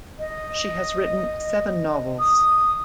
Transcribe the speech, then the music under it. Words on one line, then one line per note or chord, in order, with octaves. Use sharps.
She has written seven novels.
D#5
D#6